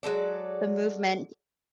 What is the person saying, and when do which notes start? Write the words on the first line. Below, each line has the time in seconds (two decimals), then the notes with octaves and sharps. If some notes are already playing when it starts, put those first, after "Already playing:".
the movement.
0.03 F#3 G#3 A4 D5